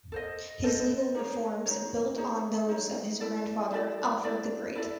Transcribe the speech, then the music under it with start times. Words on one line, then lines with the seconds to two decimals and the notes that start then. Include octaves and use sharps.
His legal reforms built on those of his grandfather, Alfred the Great.
0.12 A4 C5 D#5
0.64 A4 C5 D#5
1.15 D#4 G#4 C#5
1.66 D#4 G#4 C#5
2.18 D#4 G#4 C#5
2.69 D#4 G#4 C#5
3.20 E4 A4 D5
3.71 E4 A4 D5
4.23 E4 A4 D5
4.75 E4 A4 D5